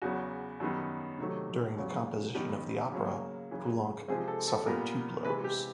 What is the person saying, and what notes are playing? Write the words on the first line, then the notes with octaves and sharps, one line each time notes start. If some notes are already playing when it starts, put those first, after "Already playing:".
During the composition of the opera, Poulenc suffered two blows.
E2 C#3 F#3 B3 F#4
F#2 D#3 G3 B3
C3 D#3 F#3 A3
E2 C#3 F#3
F#2 D#3 G3 B3 G4
C#3 F#3 A#3
F#2 C#3 E3
C3 F3 G#3 C4 G#4
A4
A4
A#2 G3 B3 A#4
C3 E3 G#3 B4
G4